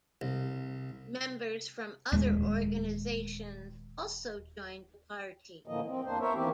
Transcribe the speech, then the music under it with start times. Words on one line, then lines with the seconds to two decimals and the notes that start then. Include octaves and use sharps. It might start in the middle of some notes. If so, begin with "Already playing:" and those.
Members from other organisations also joined the party.
0.21 C2
2.12 D#1 D#2 G#3 A3
5.67 A2 D3 E3 F3 A#3 D#5
5.86 C4
6.04 E2 A#3 D4 C5
6.20 B3 E4 A#4 C5 C#5 E5
6.34 D#2 E3 A#3 C4 G4